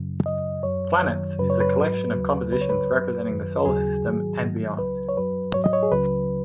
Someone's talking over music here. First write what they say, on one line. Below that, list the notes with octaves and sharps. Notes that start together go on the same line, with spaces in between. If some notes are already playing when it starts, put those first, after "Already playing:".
"Planets" is a collection of compositions representing the solar system and beyond.
Already playing: F#2 C#3 F#3
F#2 C#3 F#3 D#5
F#2 F#3 C#5
F#2 D#3 F#3
F#2 C#3 F#3 B4
C#5
B4
G#2 F#3
D#2 C#3 F#3
C#2 C#3 F#3 B4
C#5
B4
F#2 F#3
F#2 D#3 F#3
D#2 C#3 F#3 G#4
G#2 D#3 F#3
G#2 D#3 F#3
C#2 C#3 F#3 B4
C#5
F#2 F#3 B4
G#2 F#3 C#5
D#5
C#5
G#4
C#2 C#3 F#3 B4